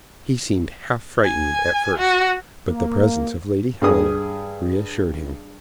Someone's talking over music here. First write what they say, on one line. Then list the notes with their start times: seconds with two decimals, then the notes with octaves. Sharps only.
He seemed half frightened at first, but the presence of Lady Helena reassured him.
1.25 G#5
1.98 F#4
2.69 A#3
3.82 G2 G#4 D#6